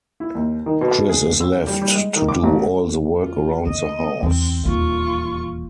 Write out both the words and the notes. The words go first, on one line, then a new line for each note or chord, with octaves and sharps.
Chris is left to do all the work around the house.
E4
D#2
D#3
B2
G#4
E6
G3
G3
G#3
D#3
D6
A1
F4
D3 D#5
E2 C4
D#1 E2 F4 C#6